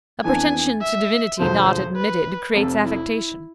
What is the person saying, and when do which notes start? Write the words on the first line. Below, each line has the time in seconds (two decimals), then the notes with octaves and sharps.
A pretension to divinity not admitted creates affectation.
0.24 F2 E3 B3 D4 G#5
0.81 E5
1.39 E1 D2 D3 F3 C5
1.97 B4
2.54 F1 F2 C3 A4
2.83 E4